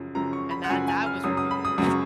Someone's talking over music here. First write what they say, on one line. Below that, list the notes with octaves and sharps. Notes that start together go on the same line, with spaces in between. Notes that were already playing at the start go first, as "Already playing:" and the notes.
And that that was revealing.
Already playing: F#2 C#3 F3
F#2 C#3 F3 A#5
C#6
B5
F#5
F#2 C#3 F3 G#5
G#5
F6
F#2 C#3 F#3 D#6
D#6
B5
D#6
F#2 C#3 F#3 D#6
C#6